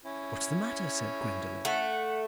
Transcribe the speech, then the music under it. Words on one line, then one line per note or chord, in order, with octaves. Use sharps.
"What's the matter?" said Gwendolen.
C#4 E4
A3 F#5